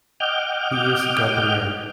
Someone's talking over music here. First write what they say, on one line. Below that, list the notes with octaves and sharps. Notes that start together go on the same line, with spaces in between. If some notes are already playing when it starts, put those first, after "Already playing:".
He is Gabriel.
D#5 F#5 G5 D6 F6 G6